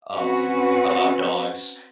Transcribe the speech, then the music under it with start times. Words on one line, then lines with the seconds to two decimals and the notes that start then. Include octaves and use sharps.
um, about dogs,
0.14 C4 C#4 F#4 B4